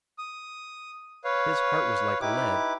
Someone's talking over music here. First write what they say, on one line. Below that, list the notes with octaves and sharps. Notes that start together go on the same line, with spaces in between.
His heart was like lead.
D#6
B4 C#5 F5
D#4 E4 G4 B4 D6